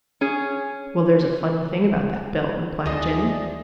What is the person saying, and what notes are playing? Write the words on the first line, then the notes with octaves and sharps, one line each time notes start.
"Well, there's a funny thing about that bill," replied Jenny.
C#4 G#4
D#2 F3 A3 G#4 D5 D#5